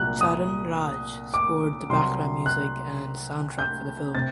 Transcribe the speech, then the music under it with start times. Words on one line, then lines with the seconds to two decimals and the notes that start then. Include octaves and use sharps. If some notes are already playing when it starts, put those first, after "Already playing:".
Charan Raj scored the background music and soundtrack for the film.
Already playing: C2 A#2 F#3 F#6
0.21 D#6
1.34 D6
1.89 C2 C3 F#3 C6
2.46 F#6
3.59 G6
4.15 C3 A6